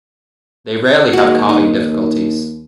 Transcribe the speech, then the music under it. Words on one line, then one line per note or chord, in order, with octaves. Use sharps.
They rarely have calving difficulties.
D#2 G#3 F#4
D#4